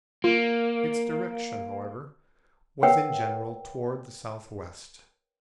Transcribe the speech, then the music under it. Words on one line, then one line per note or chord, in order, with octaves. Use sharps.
Its direction, however, was in general towards the southwest.
A#3 F4
A#4 B4 C#5 E5 F#5 G5